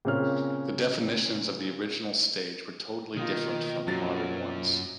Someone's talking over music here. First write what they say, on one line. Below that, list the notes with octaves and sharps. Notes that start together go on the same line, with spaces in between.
The definitions of the original stage were totally different from the modern ones.
A#2 C#3 C4 C#4 F6
B2 D#3 A#3 F4
F#2 F#3 A6